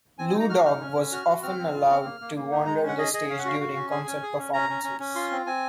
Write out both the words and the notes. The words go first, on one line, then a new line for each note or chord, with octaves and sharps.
Lou Dog was often allowed to wander the stage during concert performances.
C4 G#5
G#5
D#4
A#5
F#4 F6
D#4 F6
C#4
C#4
F#4 F6
F#4
C4 F6
C4
F4
C4
A#3
A#3
A#3
D#4
G#3 A#5
C#4
F#5
G#4 D#5
G#4 D#5
C#4 F5
F#5
F#4 F5
F#4
C#4
G#4 G#5
C#4
G#4
C#4
C#4 A#5
C#4
C#4
C#4
F4 C6
C4
C4 G#5